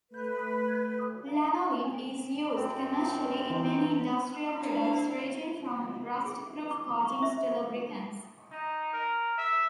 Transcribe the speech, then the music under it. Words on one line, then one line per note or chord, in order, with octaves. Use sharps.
Lanolin is used commercially in many industrial products ranging from rust-proof coatings to lubricants.
A3 B4
F#2 C4
E3 D#4 C5
D4 E4 C5 F5
G#4
D6
C#6
E5
D#4
A#4
E5